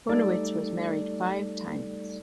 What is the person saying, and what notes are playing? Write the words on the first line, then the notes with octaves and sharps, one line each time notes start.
Bonewits was married five times.
G3 A3 D#4 A4 D5